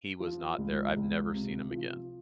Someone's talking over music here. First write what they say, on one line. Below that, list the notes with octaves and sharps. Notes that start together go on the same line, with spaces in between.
He was not there. I've never seen him again.
F3
C#2
C#2
C3
F3